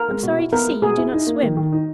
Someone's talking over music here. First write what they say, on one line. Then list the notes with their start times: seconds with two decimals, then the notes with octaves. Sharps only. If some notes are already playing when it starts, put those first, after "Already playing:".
I'm sorry to see you do not swim.
Already playing: A#4
0.08 G#3
0.23 B2
0.38 E4
0.52 B3 A#4
0.67 G#3
0.82 B2 G#4
0.98 E4
1.13 D#4
1.27 A#3
1.43 D#3
1.57 D#3
1.73 D#4